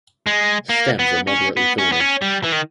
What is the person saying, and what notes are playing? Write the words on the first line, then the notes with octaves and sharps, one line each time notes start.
Stems are moderately thorny.
G#3
A#3
B3
C#4
B3
C#4
B3
C#4
G3
E3
D#3